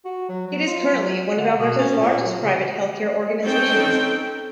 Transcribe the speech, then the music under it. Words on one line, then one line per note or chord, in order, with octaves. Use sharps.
It is currently one of Alberta’s largest private healthcare organizations.
F#4
F#3
F#3
F4
F#3
D3
B2
C#4
A#2
F#3
C#3
C4 C#4 D#4 A4 G5